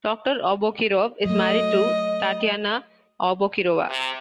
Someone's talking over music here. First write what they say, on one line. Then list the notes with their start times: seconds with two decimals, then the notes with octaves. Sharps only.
Toktar Aubakirov is married to Tatyana Aubakirova.
1.25 F#3 A3 D#5
3.90 C3